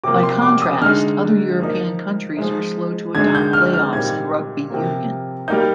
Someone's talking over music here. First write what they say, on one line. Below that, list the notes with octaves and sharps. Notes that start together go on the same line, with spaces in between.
By contrast, other European countries were slow to adopt playoffs in rugby union.
C3 F3 A#3 D6
C6
D6
D#6
D3 G#3 D#4 F6
F3 A#3 D#4
F3 G#3 D#4
D3 G#3 D#4 G#6
G6
F6
F6
A#2 G3 C4 D#4 G#6
C3 F3 A#3
G3 A#3 D#4 G6